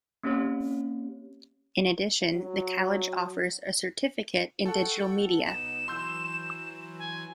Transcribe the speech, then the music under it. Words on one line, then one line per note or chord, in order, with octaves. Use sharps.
In addition, the college offers a Certificate in Digital Media.
A#3 C4 C#4 G4 C#5
F#3
A4 F#5 G5 C#6
B1 B3 D#4 E7
E3 F#3 C6 E6 G6
G#5